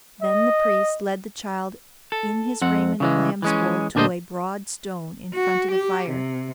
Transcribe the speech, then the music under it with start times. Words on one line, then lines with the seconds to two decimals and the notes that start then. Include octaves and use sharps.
Then the priest led the child in his raiment of lamb's-wool to a broad stone in front of the fire.
0.22 D#5
2.12 A4
2.61 F2 C4 F#5
3.00 C#3 E3 G#3
3.42 E3 G#3 C#4
3.95 D2 A#2 D4 B4 C5 D#5
5.34 F#4
5.71 G4
6.10 C3